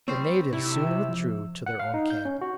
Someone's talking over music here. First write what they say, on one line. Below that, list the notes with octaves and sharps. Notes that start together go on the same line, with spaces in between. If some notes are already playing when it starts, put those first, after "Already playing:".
The natives soon withdrew to their own camp.
F#3 G3 C4 C5 C#6
C3 E4 E6
F3
F#5
F5
D#4
G6
C#4
F#4